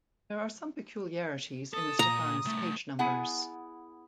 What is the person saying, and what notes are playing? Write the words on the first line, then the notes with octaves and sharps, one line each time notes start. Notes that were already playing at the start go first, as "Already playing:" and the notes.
There are some peculiarities in the Stephanus page numbers.
A4 D#6
A#2 A#5
C2 A3
B3 E4 G#4 F#5 G#5